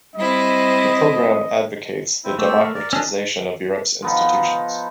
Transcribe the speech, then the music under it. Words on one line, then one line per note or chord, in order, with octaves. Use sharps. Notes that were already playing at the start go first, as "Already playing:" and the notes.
The program advocates the democratisation of Europe's institutions.
G3 C4 E4 D#5
C4 E4
A3 C4 G4 E6
A#4
A#4 D5
C#4 D4 G#4 A4 D#5
F3 B3 D#4